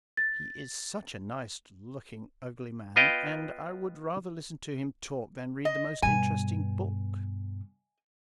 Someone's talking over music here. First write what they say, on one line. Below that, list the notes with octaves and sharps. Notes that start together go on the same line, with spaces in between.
He is such a nice-looking ugly man, and I would rather listen to him talk than read the most interesting book....
A6
B3 F4 B4 D#5 F5 G5
D#5
G2 B2 G#5